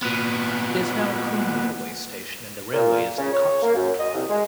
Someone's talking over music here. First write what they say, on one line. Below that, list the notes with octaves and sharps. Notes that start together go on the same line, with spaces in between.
It is now Combe railway station and the railway is the Cotswold Line.
A#2 B3
A#2
C#3
C#5
A#3
F#2
D#5
C2
G#3